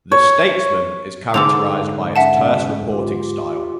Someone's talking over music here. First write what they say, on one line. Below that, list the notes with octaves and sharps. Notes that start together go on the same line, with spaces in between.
"The Statesman" is characterized by its terse reporting style.
C#5
G#2 D3 D6 E6 F7
C#4 E5 F#5 A5
F4 G4